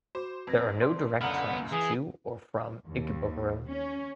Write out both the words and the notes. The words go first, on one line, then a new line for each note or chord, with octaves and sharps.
There are no direct trains to or from Ikebukuro.
F#4 C5 D6
F2 B4 G#6 A#6
C5 D5 C6
C#2 F#2 D3 B3 A#5 F6
E3 G#4
D#2
C#4